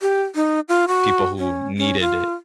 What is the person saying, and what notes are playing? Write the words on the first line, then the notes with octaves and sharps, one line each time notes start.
people who needed it
G4
D#4
F4
F#4
C#4
C#4
F4